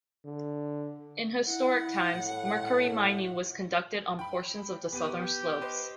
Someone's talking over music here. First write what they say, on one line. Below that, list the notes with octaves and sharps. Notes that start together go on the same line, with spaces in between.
In historic times, mercury mining was conducted on portions of the southern slopes.
D3
E4 F#5
A2
G5 B5
B3 G4 D#7
B4 C5 D#5